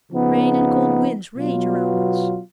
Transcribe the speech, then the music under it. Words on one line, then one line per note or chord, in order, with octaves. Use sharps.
Rain and cold winds rage around us.
C#3 F3 B3 D#4
B2 F#3 B3 F4